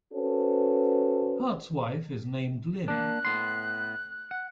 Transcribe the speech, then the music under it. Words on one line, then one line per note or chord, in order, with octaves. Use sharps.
Hart's wife is named Lynne.
C#4 F#4 A4 B4 C5
A#3 D4 F#6
A2 B3 C6
F#5